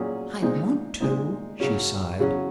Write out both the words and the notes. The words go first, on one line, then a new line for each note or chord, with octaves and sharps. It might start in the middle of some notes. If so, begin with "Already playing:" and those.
"I want to," she sighed.
Already playing: A#2 F#3 C#4 G#4
A#2 G#3 C4 D#4
A#2 G#3 C4 D#4
C#3 F#3 C#4
C#3 F#3 C#4